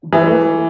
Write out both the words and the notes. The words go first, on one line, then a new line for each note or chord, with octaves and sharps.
Bill H
E3